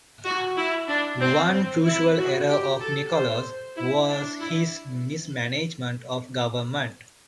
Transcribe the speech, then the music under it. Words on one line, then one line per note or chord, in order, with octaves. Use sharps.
One crucial error of Nicholas was his mismanagement of government.
F#4
E4
D4
C4
C4
E4
F#4
G4
A4
C5
E4
D4
E4